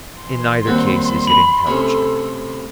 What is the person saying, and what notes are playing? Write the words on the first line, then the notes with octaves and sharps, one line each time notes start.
In neither case is it intelligent.
E3 C6
D#2 G3 C4 F#4
B5
A2 C3 C#4 A4